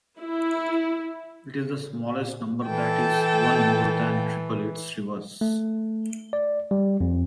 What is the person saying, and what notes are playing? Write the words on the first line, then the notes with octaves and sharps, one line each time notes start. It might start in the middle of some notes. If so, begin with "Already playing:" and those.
It is the smallest number that is one more than triple its reverse.
E4
E3 A4 G5
A3
D5
G3
F2